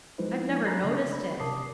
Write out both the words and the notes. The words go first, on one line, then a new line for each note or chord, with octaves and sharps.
"I've never noticed it."
F3 G#3 D#4 E4 B4 C5
D4
A#5 B5 F#6 A6 A#6 C7
C#3 A3 D4
B5
C3 A#4 A5 D6 D#6 C7